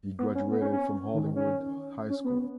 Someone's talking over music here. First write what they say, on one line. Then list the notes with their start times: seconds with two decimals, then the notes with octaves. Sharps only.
He graduated from Hollywood High School.
0.19 B3
0.35 C#4
0.51 B3
0.61 C#4
0.72 C#4
1.14 D#3
1.24 D#3
1.36 C#4
2.09 C#4
2.24 B3